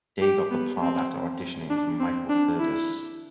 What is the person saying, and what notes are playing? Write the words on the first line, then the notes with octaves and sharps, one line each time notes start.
Day got the part after auditioning for Michael Curtiz.
G4
B3
C4
D4
C4
D4
E4